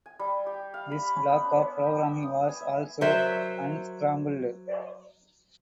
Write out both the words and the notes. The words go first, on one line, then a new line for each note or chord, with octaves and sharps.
This block of programming was also unscrambled.
G#5
G3
G4
F5
B5
C#4
B3
D4
G5
D#6
G#5
E5
F#3 A#4 C5 E5